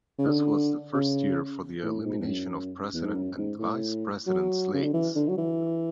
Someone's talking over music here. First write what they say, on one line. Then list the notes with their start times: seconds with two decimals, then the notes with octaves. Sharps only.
This was the first year for the elimination of President and Vice President slates.
0.18 C#3
0.28 D3
0.94 C#3
1.83 A2
2.04 G#2
2.21 E2
2.27 F#2
2.94 E2
3.05 G#2
3.15 F#2
3.38 G#2
3.59 A2
4.27 F#3
4.74 C#3
4.83 D3
4.93 E3
5.15 D3
5.28 F#3
5.37 E3